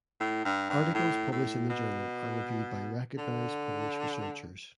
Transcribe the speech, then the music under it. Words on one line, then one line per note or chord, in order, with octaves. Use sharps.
Articles published in the journal are reviewed by recognized Polish researchers.
A2
G2
G2
A2
A2
B2
D3